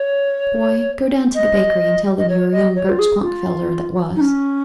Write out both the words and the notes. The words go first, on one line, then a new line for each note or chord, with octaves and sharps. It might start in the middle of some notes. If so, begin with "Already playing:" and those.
Boy, go down to the bakery and tell them you are young Gert Schwankfelder that was.
Already playing: C#5
D#5
D#5
C#5
D#5
C#5
F4
G#4
F4
D#4
C#4